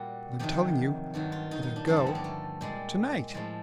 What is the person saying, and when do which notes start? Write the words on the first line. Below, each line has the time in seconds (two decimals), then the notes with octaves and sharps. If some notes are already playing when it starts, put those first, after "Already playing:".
"But I'm telling you that I go tonight."
Already playing: A#2 G3 F#4
0.39 F2 C3 D#3 F#3 G4
1.14 G2 D#3 F#3 F#4
1.32 F4
1.51 D#4
1.63 D#4
1.76 D4
1.87 G2 D3 F3 C#4
1.96 C4
2.06 B3
2.15 A#3
2.24 A3
2.61 A#2 G3 G#3
3.34 A2 F3 G#3